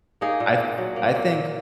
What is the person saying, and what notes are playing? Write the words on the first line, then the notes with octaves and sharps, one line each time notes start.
I th I think
A#3 D#4 G#4
A#2
A#2
F#3
A#3
A#2
A#2